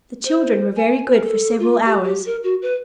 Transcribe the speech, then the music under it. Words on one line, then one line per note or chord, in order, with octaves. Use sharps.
The children were very good for several hours.
C5
G#5
A#4
A4
F4
G4
G4
A#4
F#4
B4